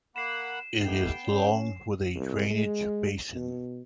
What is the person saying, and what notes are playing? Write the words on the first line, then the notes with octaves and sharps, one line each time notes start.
It is long, with a drainage basin.
A#3 F#5 B5 C7 E7
A3 B3 D#4 G4 G5
C#4
C2
G#3
B2